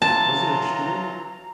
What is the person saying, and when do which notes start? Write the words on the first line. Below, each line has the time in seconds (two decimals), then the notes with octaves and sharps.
was it a shooter?
0.02 E3 F#3 F4 A5 A#5